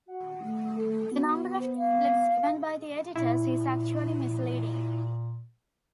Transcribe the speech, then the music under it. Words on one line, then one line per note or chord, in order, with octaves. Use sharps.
The number of "tablets" given by the editors is actually misleading.
F#4 F#5
A3
A4
B3 F#4
C5
F5
A#2 E4